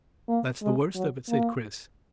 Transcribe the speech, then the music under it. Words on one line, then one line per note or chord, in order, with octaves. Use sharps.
"That's the worst of it," said Chris.
A#3
G#3
F#3
A#3